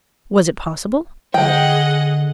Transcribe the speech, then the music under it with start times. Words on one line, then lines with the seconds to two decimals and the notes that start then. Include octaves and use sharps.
Was it possible?
1.34 D3 G#4 D#5 F#5 G5